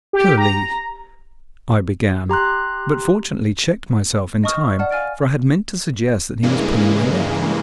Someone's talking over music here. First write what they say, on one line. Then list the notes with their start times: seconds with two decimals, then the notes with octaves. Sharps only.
"Surely----" I began, but fortunately checked myself in time, for I had meant to suggest that he was pulling my leg.
0.13 G4
0.37 A#5
2.29 G4 A#5 C6 F#6
4.44 D#5 A5 C#6 D#6 F6
4.79 D5 F#5 A5 F6
4.91 F5 G#5 F6 A6 D7
6.43 G2 C#3 E3 G#3 A#3